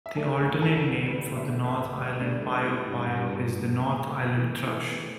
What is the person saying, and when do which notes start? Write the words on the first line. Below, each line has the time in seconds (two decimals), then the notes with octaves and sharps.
An alternate name for the North Island piopio is the North Island thrush.
0.06 E5
0.17 A3 A4 D5
0.47 D2
0.62 E4 A4
0.76 D3
1.06 A3 G4 B4
1.37 D3 B4 E5
1.67 D2 B4 E5
1.96 G3
2.19 A3 D4
2.27 G3
2.42 A3 D4
2.56 G3
2.64 B3 E4
2.87 G2
3.17 G2
3.32 B3
3.48 G2
3.77 G2
4.07 A3
4.22 B3
4.37 E3
4.67 E3 A3
4.90 B3
4.96 E3